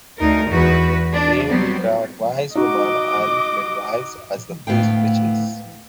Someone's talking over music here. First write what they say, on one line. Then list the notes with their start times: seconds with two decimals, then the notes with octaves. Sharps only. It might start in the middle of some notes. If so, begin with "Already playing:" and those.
They regard wise women and midwives as the first witches.
0.18 D2 D#4 A#4
0.49 E2 F#4 B4
1.13 D4
1.48 F#3 G3 B3 C4
2.55 D#4 F#4 D#5 D6
4.67 D2 A2 B3 F5 G5